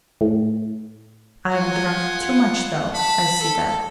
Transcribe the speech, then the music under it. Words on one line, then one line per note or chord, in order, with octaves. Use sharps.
I've drunk too much though, I see that.
A2
F4 F#5 G#5
A5 B5
A4